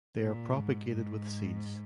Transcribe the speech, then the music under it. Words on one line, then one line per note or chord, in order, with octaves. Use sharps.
They are propagated with seeds.
A#2
G#2
G#2